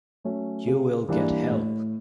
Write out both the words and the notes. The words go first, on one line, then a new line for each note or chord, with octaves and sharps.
You will get help.
F#3 A3 C#4
C#3
E3 G3 A#3 D4
A2